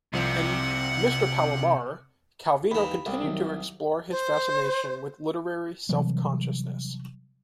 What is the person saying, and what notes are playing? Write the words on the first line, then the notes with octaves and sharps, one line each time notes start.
In "Mr. Palomar", Calvino continued to explore his fascination with literary self-consciousness.
C2 C3 F3 F#5
D#2 E3 B5
C2
D#3 F#3
C5
C3 E3 F#3 G3